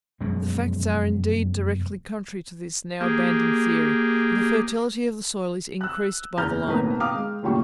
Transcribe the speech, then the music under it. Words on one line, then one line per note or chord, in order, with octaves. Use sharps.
The facts are indeed directly contrary to this now abandoned theory: the fertility of the soil is increased by the lime.
F1 F#2 B2 G#3
A#3 G4 G#4
E6 F#6
F#1 E2 A#5 F6 G6
B1 A2 A#3 C4 B4 A#5
F5 G5 A#5 D6 D#6 F6
G#3
F#1 D2 A#2 G3 G5 C#6